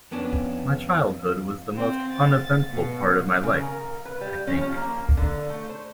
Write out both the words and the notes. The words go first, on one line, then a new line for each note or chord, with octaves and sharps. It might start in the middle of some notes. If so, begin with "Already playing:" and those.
My childhood was the most uneventful part of my life, I think.
F2 B3 C#4 D4
C4
A6
B2
C#3
A#4
B4
G3
C#4
F3
A#3
D3
A3
C5